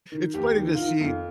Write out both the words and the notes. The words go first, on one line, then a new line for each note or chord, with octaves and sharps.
it's funny to see
D#3
D#2 G4
D#3
D#4
F4
D#3 D#4
F2 F4